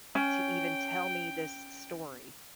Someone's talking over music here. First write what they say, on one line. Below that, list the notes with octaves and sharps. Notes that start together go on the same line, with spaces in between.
to even tell me this story,
C#4 G5